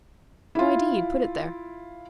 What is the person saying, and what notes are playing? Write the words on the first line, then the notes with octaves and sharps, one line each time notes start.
No idea you'd put it there.
E4 F4